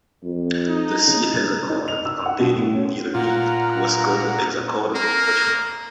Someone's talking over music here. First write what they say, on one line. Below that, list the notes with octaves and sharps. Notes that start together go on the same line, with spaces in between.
The C hexachord, containing neither B, was called "hexachordum naturale".
F2
D#4
C#3
D#4
F7
E6
F#5
B2
A2
C#4
A#2 F4 F#5 A#5 F6
A#3 A#4